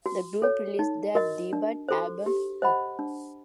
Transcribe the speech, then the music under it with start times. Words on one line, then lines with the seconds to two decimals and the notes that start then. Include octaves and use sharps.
The group released their debut album Huh!?
0.06 F#4
0.42 A4 C#5
0.79 D#4
1.15 F#4 A#4 D#5
1.53 D4
1.89 F#4 A4 C5
2.26 G4
2.62 C5 D#5 F#5 B5
2.99 D4